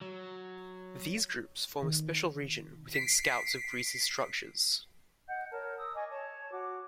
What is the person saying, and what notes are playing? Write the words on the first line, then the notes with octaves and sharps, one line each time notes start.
These groups form a special region within Scouts of Greece's structures.
F#3
D#3
B6 C7 D7
D#5 F#5 G6
A#4 C#5 A5
D#6 E6
D#5 G#5 C#6 D6
C#5 A5
F#4 D6